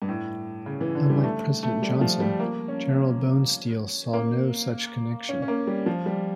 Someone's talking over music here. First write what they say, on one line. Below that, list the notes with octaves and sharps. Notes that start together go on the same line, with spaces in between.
Unlike President Johnson, General Bonesteel saw no such connection.
G2
A2
C#3
E3
D3
G3
A3
A3
G3
F3
G3
A#3
C#4
A#3
C#4
C#4
A#3
G3
F3
G3